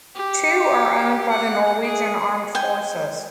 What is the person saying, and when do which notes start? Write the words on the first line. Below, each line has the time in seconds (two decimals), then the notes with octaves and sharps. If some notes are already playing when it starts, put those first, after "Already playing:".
Two are owned by the Norwegian Armed Forces.
0.15 G4
1.30 F#5
1.83 G#4
2.55 G5 G#5